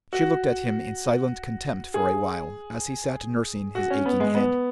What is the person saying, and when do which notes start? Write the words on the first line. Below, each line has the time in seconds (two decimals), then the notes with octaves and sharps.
She looked at him in silent contempt for a while as he sat nursing his aching head.
0.13 F#4
1.94 G#4
3.75 F#4
3.90 C#4
4.05 B3
4.20 G#3
4.35 B3